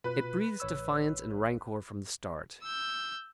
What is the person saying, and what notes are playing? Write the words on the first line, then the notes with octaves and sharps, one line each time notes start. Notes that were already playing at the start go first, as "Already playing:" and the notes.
It breathes defiance and rancor from the start.
B2 F4 B4
A1 C#5 E6
E6 G6